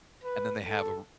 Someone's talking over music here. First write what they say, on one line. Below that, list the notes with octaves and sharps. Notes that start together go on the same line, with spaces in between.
and then they have a r
B4
A4